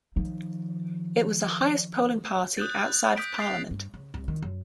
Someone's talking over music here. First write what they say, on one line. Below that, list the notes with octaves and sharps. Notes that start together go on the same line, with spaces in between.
It was the highest polling party outside of parliament.
D#3 F3
D#6 F#6 G6 A6
D#6 G6 B6 D7
A6 C7 F7
G2
C#3
C2
D#3
F#2